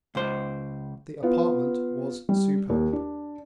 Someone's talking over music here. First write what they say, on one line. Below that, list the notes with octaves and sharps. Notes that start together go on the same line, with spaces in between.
The apartment was superb.
C#2 C5
B3 F4 F5
G3
D#2
D4